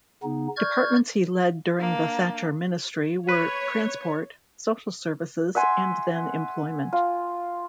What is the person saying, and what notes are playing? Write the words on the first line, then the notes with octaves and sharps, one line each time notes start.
Departments he led during the Thatcher ministry were transport, social services and then employment.
C#3 B3 D#4
D5 C#6 F6 G6 G#6
A#3 D4
B4 C#5
E5 F#5 G#5 C6
F4